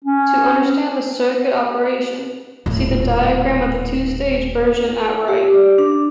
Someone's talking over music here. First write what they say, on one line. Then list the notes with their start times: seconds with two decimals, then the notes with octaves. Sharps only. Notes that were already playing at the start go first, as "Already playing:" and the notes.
To understand the circuit operation, see the diagram of the two-stage version at right.
0.04 C#4
2.66 D#1 A2
5.28 G4
5.54 D5
5.78 D4